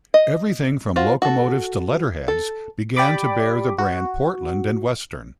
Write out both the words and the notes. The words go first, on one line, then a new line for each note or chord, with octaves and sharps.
Everything from locomotives to letterheads began to bear the brand Portland and Western.
D#5
F4 F#4 C5
F#4 A4
A4
G4 D5 B5 D6
F#4